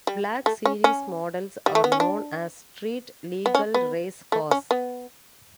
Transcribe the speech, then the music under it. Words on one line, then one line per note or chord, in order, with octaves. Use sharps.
Black Series models are known as street legal race cars.
G3
A3
C#4
C#4
G3
A3
B3
C#4
D4
B3
C#4
B3
A3
C#4
B3